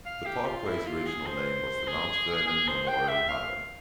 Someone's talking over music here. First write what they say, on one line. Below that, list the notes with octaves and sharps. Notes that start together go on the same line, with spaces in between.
The parkway's original name was the Mount Vernon Memorial Highway.
F5
G4
F4
E4
F4
G#4
C5
G#4
G#4
C5
G5
E5
F5